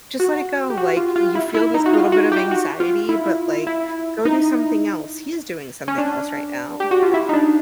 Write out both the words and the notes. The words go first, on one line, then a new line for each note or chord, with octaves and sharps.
"Just let it go, like, you feel this little bit of anxiety, but, like, go do something else. He's doing something else right now." You know?
F#4
G4
F#4
F4
F4
E4
E4
D#4
F#4
F4
F#4
G4
F#4
F4
E4
E4
D#4
C#4
D4
G4
F#4
F4
E4
D#4
D4